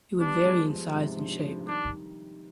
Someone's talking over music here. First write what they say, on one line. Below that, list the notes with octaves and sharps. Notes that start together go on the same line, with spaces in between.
It would vary in size and shape.
G3 B3 D4
F3 G#3
F3 G#3
G#2 C3
D3 F3
G3
D3 F3
F3
D#3 G3 D4